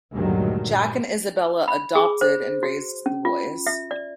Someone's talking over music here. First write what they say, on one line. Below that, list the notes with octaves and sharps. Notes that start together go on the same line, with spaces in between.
Jack and Isabella "adopted" and raised the boys.
D2 G2 A#2 D#3 F#3 G#3
B5
G#4
C5
F#4
C#4
F4
E5
D5